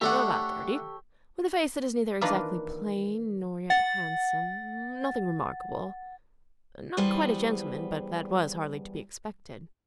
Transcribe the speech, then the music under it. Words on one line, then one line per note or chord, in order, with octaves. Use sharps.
'About thirty--with a face that is neither exactly plain, nor yet handsome, nothing remarkable--not quite a gentleman; but that was hardly to be expected.'
A3 D4 G4 A4 C#5 F#5
D#3 E3 A#3 D4 F4 B4
F#5 A6
E2 G3 G#4 B4 C5 F#5